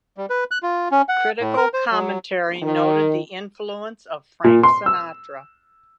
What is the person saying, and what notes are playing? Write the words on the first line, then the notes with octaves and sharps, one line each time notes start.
Critical commentary noted the influence of Frank Sinatra.
G3
B4
F#6
F4
C#4
F#5
A2
A#4
C5
F#3
D#3
A#2
C6
E6